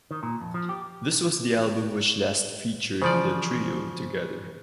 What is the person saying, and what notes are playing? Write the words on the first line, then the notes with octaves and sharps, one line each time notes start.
This was the album which last featured the trio together.
D#3
A#2
F2
F3
G4
C#3 E3 F3 C5 D5